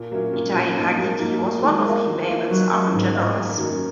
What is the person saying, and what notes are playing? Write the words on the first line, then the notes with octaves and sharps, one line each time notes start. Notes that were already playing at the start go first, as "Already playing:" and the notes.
Itai haGiti was one of King David's army Generals.
Already playing: A#2
F#3 A#3 C#4
A#2
F#3 A#3 C#4
G#2 A#3
F#3 A#3
G#2 A#3
F#3 A#3
D#3 G#3
A#3 F4
D#3
A#3 F4
D#3 F#3
G#3 C#4 F4
G#2 D#3
G#3 C#4 F4
F#2
D#3 F#3 A#3 C#4